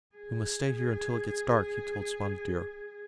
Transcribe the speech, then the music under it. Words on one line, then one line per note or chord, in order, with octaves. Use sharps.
"We must stay here until it gets dark," he told Spotted Deer.
G#4